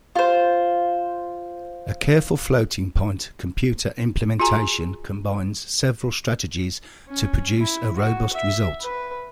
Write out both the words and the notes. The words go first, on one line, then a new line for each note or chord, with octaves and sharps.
A careful floating point computer implementation combines several strategies to produce a robust result.
F4 C5
F4 F#4 G#4 G#5 A#5
C#4
E4
F#4
E5
B4